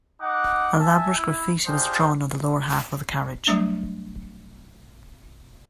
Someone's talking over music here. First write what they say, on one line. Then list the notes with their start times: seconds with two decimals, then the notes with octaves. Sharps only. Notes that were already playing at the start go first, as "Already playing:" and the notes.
Elaborate graffiti was drawn on the lower half of the carriage.
0.21 D#4 F#5 D6
0.80 E5 G#5 A5
1.17 E4
1.67 D4 D#4 F4 G4 G#4 C5
3.47 F#3 G3 A3 D4